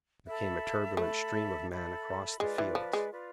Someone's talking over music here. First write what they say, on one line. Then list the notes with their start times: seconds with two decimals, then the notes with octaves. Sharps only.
There came a turbulent stream of men across the fields.
0.27 A4 E5 B5
0.97 A3 A4 E5 B5
1.69 A4 E5 B5
2.40 G#3 F4 B4 D5
2.58 E3
2.75 F3
2.93 G#3
3.10 F4 B4 D5